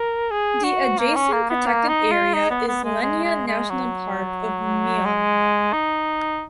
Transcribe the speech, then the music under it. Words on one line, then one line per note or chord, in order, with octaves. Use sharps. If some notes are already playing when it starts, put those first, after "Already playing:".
The adjacent protected area is Lenya National Park of Myanmar.
Already playing: A#4
G#4
F#4
A#3
C#4
A#3
B3
A#3
D#4
F4
D#4
B3
B3
G#3
G#3
G#3
G#3
F#3
G#3
D#4